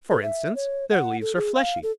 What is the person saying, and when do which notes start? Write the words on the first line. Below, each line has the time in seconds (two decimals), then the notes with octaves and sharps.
For instance, their leaves are fleshy.
0.10 A4
0.23 E5
0.55 C#5
0.91 F#5
1.21 A4
1.36 G#4
1.55 F5
1.83 A4